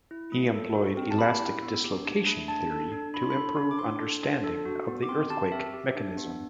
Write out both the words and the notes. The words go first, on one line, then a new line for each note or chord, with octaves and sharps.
He employed elastic dislocation theory to improve understanding of the earthquake mechanism.
E4
A3
A4
F#4
C4
A5
G4 B5
E4
B3
G4
D4
A3
D4 A5
A4
D4
D4 B5
C6
B5
A4
D4
D6
D4 C6
A4
D4
A4
F#4
B3
D6
C4 C6
G4 A5
C4 E5
G4
D4
B3